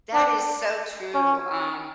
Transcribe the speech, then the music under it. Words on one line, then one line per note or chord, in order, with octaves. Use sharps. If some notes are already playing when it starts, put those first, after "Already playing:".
that is so true. Um,
D4
C#4